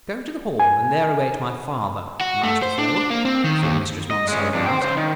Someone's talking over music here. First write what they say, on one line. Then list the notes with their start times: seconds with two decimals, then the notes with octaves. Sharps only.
"Go to the hall, and there await my father, Master Ford," said Mistress Monceux, at last.
0.60 G#5
2.21 F#4
2.43 A3
2.62 C5
2.78 D4
3.10 A#3
3.25 C4
3.44 D#3
3.62 D#2
4.11 D#5
4.28 G#3 C#4
4.54 F2 D4
4.66 C5 G5
4.82 C#3 C5
4.97 D#3